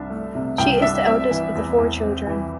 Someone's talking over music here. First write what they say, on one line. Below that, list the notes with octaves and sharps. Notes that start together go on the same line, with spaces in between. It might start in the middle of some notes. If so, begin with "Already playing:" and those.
She is the eldest of the four children.
Already playing: C2 C3 D4 E5
A3
C3
C2 G5
D4 E5
C4 E5
E3
E2
E2
C4
E3